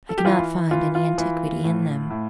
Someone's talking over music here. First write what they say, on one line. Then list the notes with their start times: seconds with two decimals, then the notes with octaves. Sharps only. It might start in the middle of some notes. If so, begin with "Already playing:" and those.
I cannot find any antiquity in them.
0.09 A4
0.18 G4
0.25 E3 F4
0.71 E3 F4
0.95 F4
1.18 E3
1.64 A2
2.10 A2